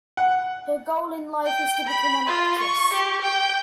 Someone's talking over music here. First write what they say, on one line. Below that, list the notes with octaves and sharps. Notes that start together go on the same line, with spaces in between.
Her goal in life is to become an actress.
F#5
G5
B5
F4
C#6
G4
G5